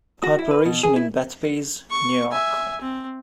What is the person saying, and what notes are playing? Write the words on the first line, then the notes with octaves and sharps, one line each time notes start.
Corporation in Bethpage, New York.
F#4
E4
B4
B2
G#4
E4
C#6
E5 G#5
C4